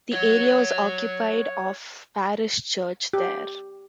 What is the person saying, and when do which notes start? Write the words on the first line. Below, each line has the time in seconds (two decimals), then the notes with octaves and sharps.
The area was occupied of parish church there.
0.12 C#5 F#5
3.13 G4